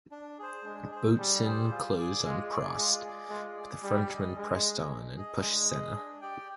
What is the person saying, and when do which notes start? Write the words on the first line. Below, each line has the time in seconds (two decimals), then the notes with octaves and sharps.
Boutsen closed on Prost, but the Frenchman pressed on and pushed Senna.
0.11 D4
0.39 G#4 C5
0.64 G#3 D4
0.91 G#4 C5
1.18 G3 D4
1.45 G#4 C5
1.71 F4
1.97 G#4 D5
2.24 G#3 F4
2.51 G#4 D5
2.77 G#3 F4
3.04 G#4 D5
3.29 G#3 F4
3.57 G#4 D5
3.83 G3 D4
4.09 G#4 D#5
4.36 G#3 D4
4.62 G#4 D#5
4.89 D4
5.16 G#4 D#5
5.42 G#3 D4
5.69 G#4 D#5
5.94 D4
6.21 G4 D5 G5